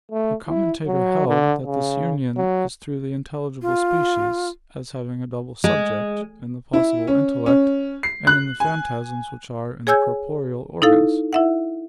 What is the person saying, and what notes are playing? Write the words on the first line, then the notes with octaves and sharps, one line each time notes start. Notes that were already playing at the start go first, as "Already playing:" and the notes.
The Commentator held that this union is through the intelligible species, as having a double subject, in the possible intellect, and in the phantasms which are in the corporeal organs.
A3
E4
F#3
D3
C#3
F#3
F4
G#3
E4
C#4
C#4
C7
F#6
G#5
G#4 C#5 G#5 E6 G6 G#6
D#4 E4 A4 F5
E4 E5 F#5